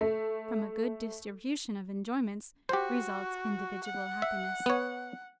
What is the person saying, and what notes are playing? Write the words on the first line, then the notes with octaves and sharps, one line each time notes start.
From a good distribution of enjoyments results individual happiness.
A3
F#4 G4 C5
F#5
E5
B3 C#5